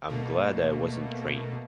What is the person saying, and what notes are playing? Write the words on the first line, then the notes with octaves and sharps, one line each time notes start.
I'm glad I wasn't trained.
B2 A3 A#3